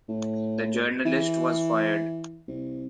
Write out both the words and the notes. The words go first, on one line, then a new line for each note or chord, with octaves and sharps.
The journalist was fired.
A2
E3
C2